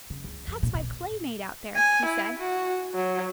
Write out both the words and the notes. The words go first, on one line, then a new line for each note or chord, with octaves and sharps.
"That is my playmate out there," he said.
C#3
C#2
F2
A#2
B2
G#5
E4
F#4
F#3